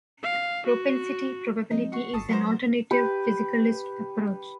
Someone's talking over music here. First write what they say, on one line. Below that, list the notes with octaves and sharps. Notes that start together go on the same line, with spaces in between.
Propensity probability is an alternative physicalist approach.
F5
F#4
F3 G#3 C4 D#4
F#4 C#6 C7 C#7
G1 A4 A5 D#6
F#3 B3 A#4 C5
G4 B4